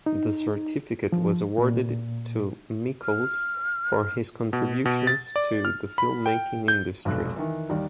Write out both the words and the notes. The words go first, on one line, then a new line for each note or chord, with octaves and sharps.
The certificate was awarded to Mikels for his contributions to the filmmaking industry.
D#4
F3
A#2
F6
B2
B2
A6
D5
F6
B5
G5
G6
F1 B1 G#3 A4 F#6
D#3 E3
D#2 D#3 G3 A#4 D5